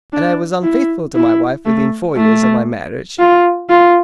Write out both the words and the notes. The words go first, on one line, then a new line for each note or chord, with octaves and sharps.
And I was unfaithful to my wife within four years of my marriage.
D4
E4
E4
A3
A3
F4
F4